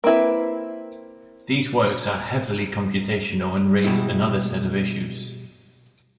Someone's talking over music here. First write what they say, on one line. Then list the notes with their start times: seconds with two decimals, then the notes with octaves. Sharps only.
These works are heavily computational and raise another set of issues.
0.04 A#3 C4 E4 B4
3.84 B2 G3 G#3 E4